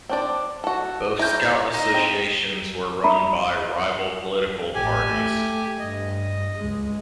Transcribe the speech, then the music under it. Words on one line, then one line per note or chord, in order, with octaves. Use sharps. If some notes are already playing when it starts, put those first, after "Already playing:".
Both Scout associations were run by rival political parties.
C4 D4 D5
F#4 A4
C#4 E4 A#5 G6
D#4 D#5
C4
E5 A#5 B5
A1 G4 G#5
A3
G2 D#5
C#2 G#3